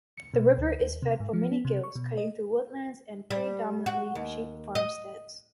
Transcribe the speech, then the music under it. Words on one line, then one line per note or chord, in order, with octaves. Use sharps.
The river is fed from many gills cutting through woodland and predominantly sheep farmsteads.
C#7
B2
D2
D#2
C3
G#2
F3
B3
C3
C#6
B2
D#5
G3
F#4
D#2
D#5